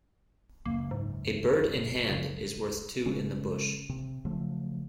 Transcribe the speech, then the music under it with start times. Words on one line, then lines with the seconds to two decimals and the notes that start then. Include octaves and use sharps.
A bird in hand is worth two in the bush.
0.66 C#2 F#2 A#3
0.91 G#2
2.09 C#3
3.06 C#3 G#3 C#4
3.89 C3
4.25 C#3 F3 F#3 A3